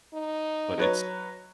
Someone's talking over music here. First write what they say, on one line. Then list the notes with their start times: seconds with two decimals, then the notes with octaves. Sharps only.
but it's
0.14 D#4
0.78 F#3 B4 C#5